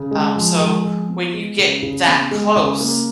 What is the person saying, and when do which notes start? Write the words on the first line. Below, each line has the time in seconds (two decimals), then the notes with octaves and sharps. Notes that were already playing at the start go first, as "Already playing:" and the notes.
Um, so when you get that close,
Already playing: C#3
0.11 G#3
0.36 F3
0.60 G#3
0.85 F3
1.09 B3
1.34 G#3
1.58 C#3
1.83 C#3
2.07 B3
2.31 G#3
2.56 C#3
2.80 A#3